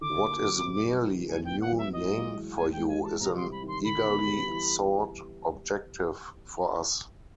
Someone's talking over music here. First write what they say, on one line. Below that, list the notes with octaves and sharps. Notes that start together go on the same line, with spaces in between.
What is merely a new name for you is an eagerly-sought objective for us.
D3 D6
A#3
F#3
C3
G3
D#3
A2 G#5
G5
B3
F#5
F#3
E5
A2 D#5
G#3
E3
A2 G#5
G#3 G5
G#5
E3 A5
C3 A#5
C6
G3
B5
D#3 C6
D3 B5
B3
G3
E3